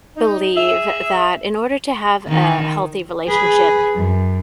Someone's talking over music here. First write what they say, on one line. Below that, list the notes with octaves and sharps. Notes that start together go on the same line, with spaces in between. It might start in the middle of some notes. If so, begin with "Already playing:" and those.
believe, that in order to have a healthy relationship,
D#4
G#4 E5
D#3
G#4 B4
F#2